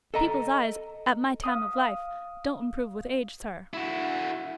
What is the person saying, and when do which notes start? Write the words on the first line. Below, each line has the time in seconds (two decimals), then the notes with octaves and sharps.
'People's eyes, at my time of life, don't improve with age, sir.'
0.14 A4 D#5 A#5
1.44 F5 D#6
3.74 E4 F#4